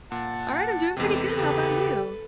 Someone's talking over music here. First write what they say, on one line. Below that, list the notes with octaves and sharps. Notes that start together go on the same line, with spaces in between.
Alright, I'm doing pretty good, how 'bout you?
A#2 F#5 A5
E2 C3 G#3 C4 G4 A4 B4
C#3 G4